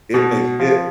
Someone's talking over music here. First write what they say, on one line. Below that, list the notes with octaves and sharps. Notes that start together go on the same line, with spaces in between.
it makes it
B2
F3